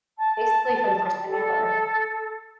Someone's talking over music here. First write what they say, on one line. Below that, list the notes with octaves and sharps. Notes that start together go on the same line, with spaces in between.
basically, for the first time ever.
A5
A4